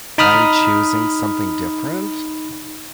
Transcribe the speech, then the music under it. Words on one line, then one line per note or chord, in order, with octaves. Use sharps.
I'm choosing something different,
D#4 B5 D#6 F6